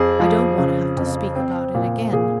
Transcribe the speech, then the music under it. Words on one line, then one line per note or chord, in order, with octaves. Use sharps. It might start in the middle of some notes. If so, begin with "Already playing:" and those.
I don't want to have to speak about it again.
Already playing: F2 G#4
F3
C#3
F2
C4
A#2
A#2 G#4